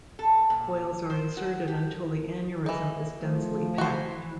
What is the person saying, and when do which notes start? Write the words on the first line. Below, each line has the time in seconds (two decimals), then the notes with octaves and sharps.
Coils are inserted until the aneurysm is densely packed.
0.19 A4
0.50 A#2
1.10 C5
1.37 F#4
1.68 G4
2.66 E3 D#4
3.22 F3 A3
3.78 E3 F#4 C5